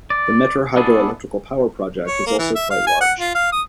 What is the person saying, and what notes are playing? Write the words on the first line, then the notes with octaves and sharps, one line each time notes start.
The Mettur Hydro Electrical power project is also quite large.
D5
B3 D4 E4 G#4 A4
C#5
A#3
E3
E5
F5
G#5
F#5
F4
F5
D#6